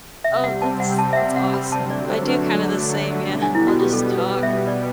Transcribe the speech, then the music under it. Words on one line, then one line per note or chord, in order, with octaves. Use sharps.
Oh, that's that's awesome. I do kinda the same, yeah, I'll just talk
C3 G3 C4 E5
F#5
A5
F#5
A5
E5
F#5
F#5
B5
D3 F#3 A3 D4 A5
D5
C5
B4
B2 G3 B3
D4
E4
F#4
G4
A4
B4
E5
D5